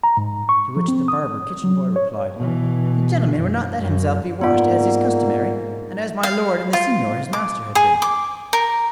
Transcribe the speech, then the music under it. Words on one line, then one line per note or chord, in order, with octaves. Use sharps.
To which the barber kitchen-boy replied, "The gentleman will not let himself be washed as is customary, and as my lord and the senor his master have been."
A#5
G#2
C#6
F3
C4
D#6
F#3
C#5
B2 E3
F#2
F#2
G#2 A#3 B3 F4 D5 F#5
F5
F4
D6
G#4
D6
A#4